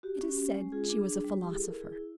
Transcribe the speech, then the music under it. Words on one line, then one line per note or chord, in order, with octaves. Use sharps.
It is said she was a philosopher.
F#4 G4
C#4
C#4
G#3
F4 G#4
D4
D4
G3
E4 G4
G#4
E4 A4
A#4
E4 G#4
E4